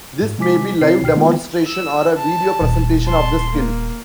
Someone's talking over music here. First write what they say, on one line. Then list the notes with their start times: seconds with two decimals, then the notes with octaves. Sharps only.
This may be live demonstration, or a video presentation of the skill.
0.22 G#2
0.38 C3 G#3 E4 G#5 D6 B6
0.81 C3 C4 E4 C#5 C7
1.02 C#2 B2 G5 F6 C7
1.15 D#3 G#3 A#3 B3 F4
1.67 E6
2.16 A5
2.61 D#1
3.05 A5 C6
3.51 A#3